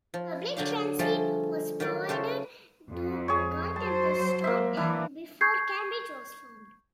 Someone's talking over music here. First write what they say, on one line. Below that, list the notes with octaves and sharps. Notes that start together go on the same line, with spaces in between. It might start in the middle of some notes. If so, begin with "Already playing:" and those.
Public transit was provided to Galt and Preston before Cambridge was formed.
F3
D3 F#3 G4 F5
F3 G3 A3 G#4 A4
D#3 F#3 D#4 D5
C#3 A4 C5 C#5 E5
F2
G#4 C#5
F#3 C5 A5
A#3 E5
E3 D4 E4
C#6 G6 G#6 C7